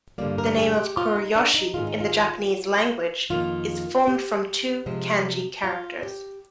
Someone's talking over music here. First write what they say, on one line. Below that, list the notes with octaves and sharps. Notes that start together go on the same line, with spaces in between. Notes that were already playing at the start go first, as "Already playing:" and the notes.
The name of Kurayoshi in the Japanese language is formed from two kanji characters.
G2 D3 G3 A#3 D5
A#4
G#4
G4
F4
D#4
D4
D#4
G#2 D#3 G#3 F4
D#4
F4
F2 D#3 A#3 F4
G4
C3 F3 G#3
F4
G4